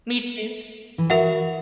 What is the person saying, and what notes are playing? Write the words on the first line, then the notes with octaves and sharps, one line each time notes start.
Me too.
E3
F#4 A#4 E5 F#5